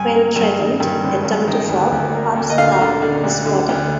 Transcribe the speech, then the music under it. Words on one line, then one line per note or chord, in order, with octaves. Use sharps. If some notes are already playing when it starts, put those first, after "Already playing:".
When threatened, a tomato frog puffs up its body.
Already playing: G2 G#5
A#3
G2
D#3
G2
G#1
G2
D#3
D2
D2
A#3
D2
D#5
D3 F5
D3
D3
D2
D3
D2